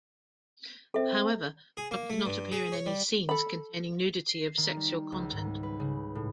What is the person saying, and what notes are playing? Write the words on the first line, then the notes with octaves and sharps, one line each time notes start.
However, Trump did not appear in any scenes containing nudity of sexual content.
C4 A4 E5
G#4
A#3
A3
G2
G#4
C#5
G3
A4 B5
C7
D#3
G3
C#2
G#2
B4
C#3
A2